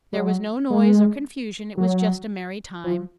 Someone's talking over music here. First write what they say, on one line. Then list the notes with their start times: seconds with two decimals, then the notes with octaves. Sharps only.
There was no noise or confusion; it was just a merry time.
0.13 G3
0.17 F#3
0.70 G#3
1.78 F#3
2.84 F3